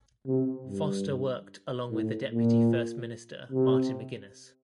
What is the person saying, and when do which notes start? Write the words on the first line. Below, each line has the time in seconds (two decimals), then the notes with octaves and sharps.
Foster worked along with the deputy First Minister Martin McGuinness.
0.27 C3
0.67 G2
1.90 A2
2.31 A#2
3.52 C3